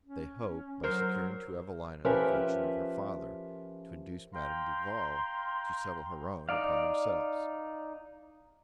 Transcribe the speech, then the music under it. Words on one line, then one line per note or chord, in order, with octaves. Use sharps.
They hope, by securing to Evelina the fortune of her father, to induce Madame Duval to settle her own upon themselves.
C#4
F#3 A#4 C5
F3 C#4 G4 A#4 B4 E5
F5 G5 A#5 C6
D#4 D5 F5